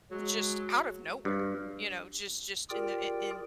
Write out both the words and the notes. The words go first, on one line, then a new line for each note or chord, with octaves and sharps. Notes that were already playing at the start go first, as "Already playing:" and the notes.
just out of nowhere, you know? Just just in the i in
F#3 G#3
G2
F4 G4 G#4 A#4 D5 G5